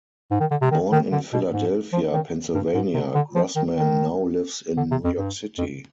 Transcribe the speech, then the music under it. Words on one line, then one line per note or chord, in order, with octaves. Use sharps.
Born in Philadelphia, Pennsylvania, Grossman now lives in New York City.
G#2
D#3
D3
C3
D#3
D#3
D3
B2
G#2
F3
D#3
G2
G#2
C3
D3
F3
D#3
D#3
D3
C3
F2
G2
F2